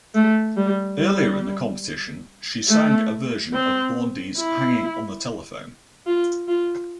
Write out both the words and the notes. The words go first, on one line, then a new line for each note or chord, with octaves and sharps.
Earlier in the competition she sang a version of Blondie's "Hanging on the Telephone".
A3
G3
G3
A3
C4
E4
F4
F4